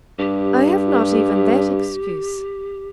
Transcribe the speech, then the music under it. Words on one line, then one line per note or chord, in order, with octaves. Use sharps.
'I have not even that excuse.
G2 G4